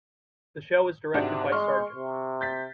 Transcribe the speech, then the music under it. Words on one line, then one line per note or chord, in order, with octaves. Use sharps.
The show was directed by Sgt.
G#2 C3 D4 F#4
G#3 C6 C#6 F6
C3
G6 A6 B6